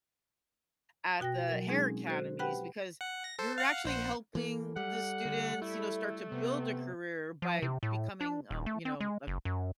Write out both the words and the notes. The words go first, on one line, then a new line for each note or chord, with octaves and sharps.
at the hair academies, because you're actually helping the students, you know, start to build a career by becoming, um, you know, a
B2 F#4 G5 F#6 A#6
F#3 A#4
G#3 C4 C#4 D#4 G#4
F#4 A4 C5
G4 B4 F#5 G5 B5 F#6
F#5
A#6
A4 C5
F5 F#5
A#1 C5 F#5
E3 A#3 A4
G3 F#5
D3
A3 E4
C3 B3
F3
C3
A2
D4
D#1
A3
C4
G#3
F#1
F#2